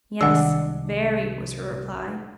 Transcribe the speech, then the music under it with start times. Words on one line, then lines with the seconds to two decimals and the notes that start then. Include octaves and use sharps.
'Yes, very,' was her reply.
0.21 C2 D#3 G#3 D4 F#5 E6